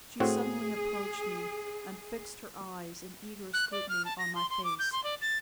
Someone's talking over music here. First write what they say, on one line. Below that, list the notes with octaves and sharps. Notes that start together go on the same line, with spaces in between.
She suddenly approached me, and fixed her eyes in eager scrutiny on my face.
A2 C4 F#4 G#4
F#6
D5
F6
A5
A#6
C6
C6
D6
G6
C6
D5
A6